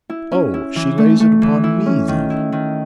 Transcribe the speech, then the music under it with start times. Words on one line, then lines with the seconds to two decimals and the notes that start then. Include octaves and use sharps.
'Oh!--She lays it upon me, then?'
0.10 E4
0.32 C#4
0.54 E4
0.76 E3
0.98 A3
1.20 A3
1.42 E3
1.64 E4
1.86 C#4
2.08 D#3
2.30 E4
2.52 D#3